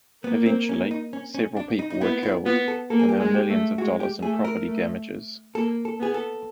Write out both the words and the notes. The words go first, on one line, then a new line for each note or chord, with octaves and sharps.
Eventually, several people were killed and there were millions of dollars in property damages.
A#3 B3
C4
C#4
D#4
C#4
C#4
D4
D#4
D#4
B3 E4
E4
B3 F4
A4
A#3 A4
G#4
G4
G#3 G#4
G4
A3
G#3 F#4
G4
A3 G#4
A#4
A3
A#3 A4
A4
B3 G#4
A4